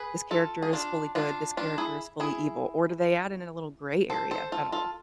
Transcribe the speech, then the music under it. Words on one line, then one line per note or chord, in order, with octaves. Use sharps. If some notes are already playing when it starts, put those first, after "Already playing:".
this character is fully good, this character is fully evil, or do they add in a little gray area at all?
Already playing: G#4 B4
F4 A4
G#4
D4 F4
D4 F4
D4 F4
E4 G#4
E4 G#4
A4 C5
A4 C5
F4 A4
F4 A4